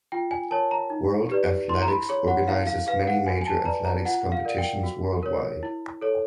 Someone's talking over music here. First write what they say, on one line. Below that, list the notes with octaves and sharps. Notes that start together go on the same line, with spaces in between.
World Athletics organizes many major athletics competitions worldwide.
F4 G5
G#5
A#4 C#5 A5
A#5
D#4
G4 B4 D5
E4 C6
A#5
B5
G#4 C#5
F#5
E4 F5
F5
G#4 B4 F5
F#5
F#4 G#5
G#5
A5
B4 D5 A#5
A#5
F4 F#5
F5
A#4 D5
G5
F#4
A#4 C#5
E4
A4 C#5